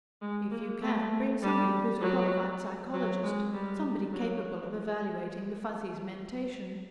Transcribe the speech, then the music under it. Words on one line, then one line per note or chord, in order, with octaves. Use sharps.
If you can, bring somebody who's a qualified psychologist, somebody capable of evaluating the Fuzzies' mentation.
G#3
A#3
A3
G3
F#3
F#3
G#3
G3
F#3